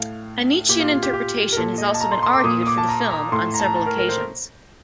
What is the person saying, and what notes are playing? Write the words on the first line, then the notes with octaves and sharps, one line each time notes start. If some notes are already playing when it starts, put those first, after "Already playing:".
A Nietzschean interpretation has also been argued for the film on several occasions.
Already playing: A2 F5
A#2 G4
F4
F4
G4
G4
A#4
A#2 A4
D#5
A5
A#5
C6
C6
D6
A#2 D#6
D#6
D6
A5
A#5
A#5
A2 C6
A#5
A5
A#5
A5
A#4
A#4
C5